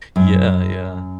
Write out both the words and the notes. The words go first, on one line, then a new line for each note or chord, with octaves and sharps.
Yeah, yeah.
F#2